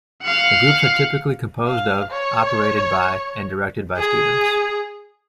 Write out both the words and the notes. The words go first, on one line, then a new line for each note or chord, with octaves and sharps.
The groups are typically composed of, operated by, and directed by students.
F5 F#5
F5
C#5
G#4